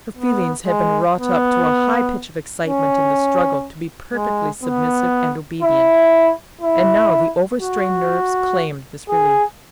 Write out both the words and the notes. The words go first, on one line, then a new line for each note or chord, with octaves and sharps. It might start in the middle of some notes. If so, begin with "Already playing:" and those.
Her feelings had been wrought up to a high pitch of excitement in the struggle to be perfectly submissive and obedient, and now the overstrained nerves claimed this relief.
B3
G#3
B3
C#4
G#3
B3
E4
E4
F#4
G#4